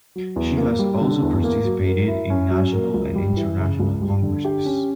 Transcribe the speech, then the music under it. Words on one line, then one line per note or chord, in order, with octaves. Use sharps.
She has also participated in national and international congresses.
F#3
E2
A#3
G3
D3
E2
A#3
F#3
A#4
E4
C#4
F#3
A#4
C#2
G3
E3
C#3
C#2
G3
D3
G4
C#4